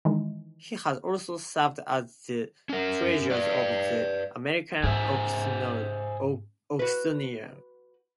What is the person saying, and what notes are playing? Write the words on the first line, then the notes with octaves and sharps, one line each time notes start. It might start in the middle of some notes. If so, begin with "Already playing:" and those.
He has also served as the treasurer of "The American Oxonian".
D#3 E3 G#3
C#4 A#4
B4 D5
G#2 G#4 C5 E5
F#4 B4